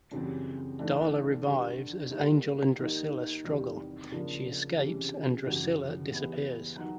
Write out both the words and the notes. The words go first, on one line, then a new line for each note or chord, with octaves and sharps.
Darla revives as Angel and Drusilla struggle; she escapes and Drusilla disappears.
F#2 C#3 E3 G3 C4
G#2 E3 A3 D4
G2 D3 G3
G#2 D#3 G3 A#3
D#3 G3 A#3 D#4
E2 C3 D#3 G3 C4
C#3 F3 A#3 D4 F4
C3 E3 G#3 C#4
F#2 C#3 E3 G#3
E3 G3 B3 E4 G#4
D#3 F#3